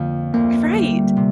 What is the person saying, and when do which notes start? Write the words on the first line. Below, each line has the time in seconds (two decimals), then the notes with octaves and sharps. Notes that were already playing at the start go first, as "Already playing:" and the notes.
G F Right.
Already playing: F2 D3 A#3
0.34 D2 A#3
0.76 G3
1.17 C3